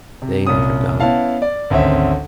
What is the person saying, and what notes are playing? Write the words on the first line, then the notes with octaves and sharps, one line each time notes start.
They never die.
C3
C2 A#2 C#4 D#6
B3 C#4 E4 F5 A5
D5
G#1 D2 C4 C#4 E5